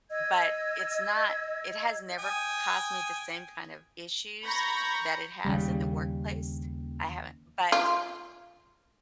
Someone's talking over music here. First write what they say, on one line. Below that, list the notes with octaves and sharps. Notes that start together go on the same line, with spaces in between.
but, it's not it has never caused me the same kind of issues that it has in the workplace. I haven't but
D#5 E6 G#6
G5 G#5 D#6
A#5 B5 C#6 G6 G#6 A#6
D#2 C#3 G3
F4